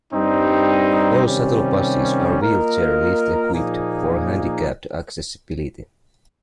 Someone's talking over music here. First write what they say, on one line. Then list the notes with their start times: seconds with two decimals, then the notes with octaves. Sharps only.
All shuttle buses are wheelchair lift-equipped for handicapped accessibility.
0.13 G2 G3 C4 D#4
1.26 C3 D#3 G3 C#4
2.39 A#3 F4 A#4 D#5
3.54 A#2 F3 A#3 D#4 G#4